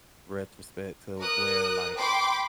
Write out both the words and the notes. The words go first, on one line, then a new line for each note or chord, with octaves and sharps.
retrospect to where, like,
A#4 D#6 F#6
G5 B5 C6 D6